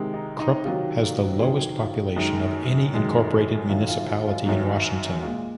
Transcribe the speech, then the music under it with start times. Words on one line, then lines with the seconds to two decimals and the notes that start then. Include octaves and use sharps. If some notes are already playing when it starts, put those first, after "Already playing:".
Krupp has the lowest population of any incorporated municipality in Washington.
Already playing: C3 D#3 G#3
0.14 D#4
0.39 D#4
0.65 C3 D#3 F#3 F4
1.03 F4
1.40 C3 D#3 F#3 G#4
1.79 F4
2.16 F#2 D#3 G#3 D#4
2.93 F#2 D#3 G#3
3.70 F#2 D#3 F#3 F4
3.89 F4
4.07 F4
4.27 F4
4.46 F#2 D#3 F#3
5.22 A#2 G#3 F4